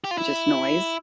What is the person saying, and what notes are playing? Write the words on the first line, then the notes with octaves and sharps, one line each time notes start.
just, noise,
G4
F4
E4